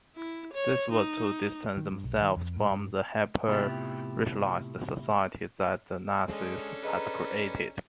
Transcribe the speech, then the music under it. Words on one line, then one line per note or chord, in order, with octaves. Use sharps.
This was to distance themselves from the hyper-racialized society that the Nazis had created.
E4
C#5
D#4
D#3
G2
B1
D#3
F2
A2
G2
A2 C3 B3 E4 F4 G4
G#3 C#4 D4 A4
G#4 B4 D#5 A#5